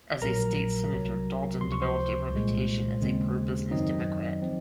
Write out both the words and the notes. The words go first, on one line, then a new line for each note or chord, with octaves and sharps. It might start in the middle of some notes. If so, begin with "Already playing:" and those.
As a State Senator, Dalton developed a reputation as a pro-business Democrat.
A#1 A#2 F#3 A#4 A#5
C2 C3 F#3
C#2 C3 F3 C6
C#6
C5 C6
C2 A#2 G#3
D#2 C#3 G#3 C4
F#2 D#3 F#3 C4 D#4 D#5
F3 C4